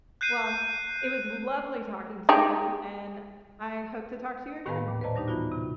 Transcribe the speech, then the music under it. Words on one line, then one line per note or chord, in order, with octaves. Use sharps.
Well, it was lovely talking to you, and I hope to talk to you again.
F#6 G6 C7 D#7
D#4 G4 G#4
A2 D#3 B3 G4 B4 F5
D#2 A#2
B4 C5 D5 D#5 A5 A#5
G3 D4 D#4 G4
E3 B3 D#4 F4 F#4
C3